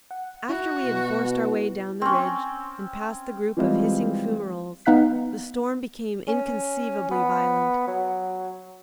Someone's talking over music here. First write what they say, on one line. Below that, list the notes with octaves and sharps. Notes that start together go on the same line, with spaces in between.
After we had forced our way down the ridge and past the group of hissing fumaroles, the storm became inconceivably violent.
F#5
E4 F#4
B2
C4 C#4
E3 F3 G3 G#3 C4 F4
B3 D#4 F5 F#6 B6
C#4
B3
F#3